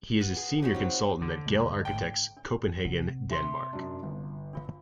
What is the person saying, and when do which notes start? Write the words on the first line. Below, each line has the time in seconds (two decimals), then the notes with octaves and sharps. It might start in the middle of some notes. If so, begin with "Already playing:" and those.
He is Senior Consultant at Gehl Architects, Copenhagen, Denmark.
0.20 B4 F#5
0.37 G#4
0.62 C#3 D#4 F#4 G4
0.75 F#3 C4
1.22 D3
1.46 E1 B1 G#3 A#3
1.85 G#1 A2 G5
2.37 D4
2.85 C3 F#5
3.31 E5 G#5 C6
3.73 F#2 D4
4.03 G1
4.53 D4 F4 F5